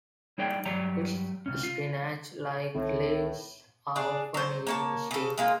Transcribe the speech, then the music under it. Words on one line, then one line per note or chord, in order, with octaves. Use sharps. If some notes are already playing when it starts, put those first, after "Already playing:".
Its spinach-like leaves are often eaten steamed.
G3 D#4 G#4 C#5 D5 G5
G2 F#3 G3 C#5 D5 A#5
C2 G2 C#4
F4
C#2 A2 D#3 C4
D4 G#4 D5
F#3 C5
A#3 C#5 A5
C#3 A4
G#3 A#3 F4